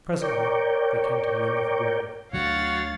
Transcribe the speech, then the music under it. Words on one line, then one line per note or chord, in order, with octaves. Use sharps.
Presently they came to the end of the grove.
A#4 C#5 D5 G5
D2 F#3 F#4 C#5 F5 A6